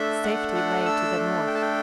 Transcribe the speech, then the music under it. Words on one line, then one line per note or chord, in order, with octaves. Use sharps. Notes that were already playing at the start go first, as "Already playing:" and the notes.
"Safety lay to the north."
Already playing: A3 D4 A4 E5
F#5
F#5
E6
G5
A5
G5